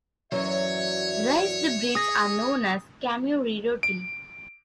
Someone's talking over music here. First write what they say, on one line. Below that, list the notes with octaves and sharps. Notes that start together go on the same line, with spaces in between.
Raised breads are known as "khamiri roti".
F#2 E3 F#3 F#4 C#5 D5 E5
G#4 D#6 A#6
D7